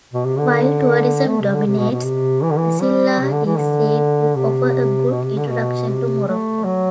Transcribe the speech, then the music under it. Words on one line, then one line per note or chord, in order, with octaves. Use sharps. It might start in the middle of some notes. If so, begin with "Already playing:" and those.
While tourism dominates, Asilah is said to offer a good introduction to Morocco.
B2
C3
D3
A3
C3
D3
C3
B2
B2
C3
E3
D3
E3
G3
C3
D3
E3
D3
C3
B2
C3
D3
B2
C3
A3
F#3